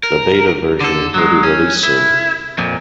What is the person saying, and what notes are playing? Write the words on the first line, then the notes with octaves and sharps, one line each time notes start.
The Beta version will be released soon.
A#4
D3 A4
F#3 G#3
C#4
E4
F2 A#2